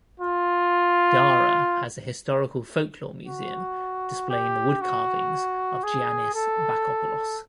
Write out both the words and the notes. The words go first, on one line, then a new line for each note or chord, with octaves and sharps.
Dara has a historical folklore museum displaying the woodcarvings of Giannis Bakopoulos.
F4
F#4
G4
F#4
G#4
A4